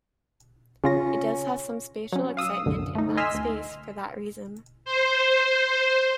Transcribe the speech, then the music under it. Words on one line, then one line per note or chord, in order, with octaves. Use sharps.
It does have some spatial excitement in that space for that reason.
C#3 C#4 F4 A#6
F#3 C#4
F5 D#6 E6
C2 F#2 A2 D3
A3 D#4
D#5 G#5 C6 E6 F6 B6
D2
C5